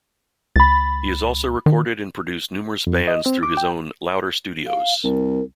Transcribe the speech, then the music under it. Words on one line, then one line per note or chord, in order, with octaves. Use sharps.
He has also recorded and produced numerous bands through his own Louder Studios.
C#2 B5 A6
D#3
F2
D#5
C4
D6
G5
F5
C2 A#4